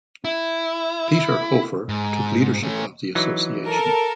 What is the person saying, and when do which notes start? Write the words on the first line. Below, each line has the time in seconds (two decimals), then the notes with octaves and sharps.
Peter Hofer took leadership of the Association.
0.25 E4
1.89 G#2
2.63 A3 C#4
3.15 E3 F#3 D#4
3.65 A4 A#4